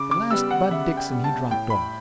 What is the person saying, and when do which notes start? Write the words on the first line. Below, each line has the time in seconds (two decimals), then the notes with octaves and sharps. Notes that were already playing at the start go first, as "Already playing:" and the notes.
At last Bud Dixon he dropped off.
Already playing: C#3 D6
0.11 D6
0.31 G3 B3 E6
0.51 F#5
0.70 C#3 E5
0.97 G5
1.11 G3 B3
1.24 A5
1.51 A2 G5
1.70 B5